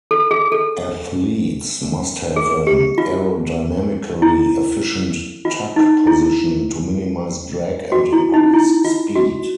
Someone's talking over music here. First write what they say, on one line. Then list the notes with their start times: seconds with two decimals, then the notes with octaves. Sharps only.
Athletes must have an aerodynamically efficient tuck position to minimize drag and increase speed.
0.11 A4
0.31 G#4
0.52 A4
2.36 G#4
2.67 G4
2.98 F4
4.22 E4
5.45 F4
5.76 D#4
6.07 E4
7.92 F#4
8.12 E4
8.34 D#4
8.54 E4
8.85 F4
9.16 F#4